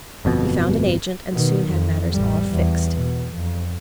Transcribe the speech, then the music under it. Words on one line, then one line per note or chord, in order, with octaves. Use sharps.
He found an agent and soon had matters all fixed.
G1 F2 B2
B2 D#3
F2
A1 G3
E2
B2
F2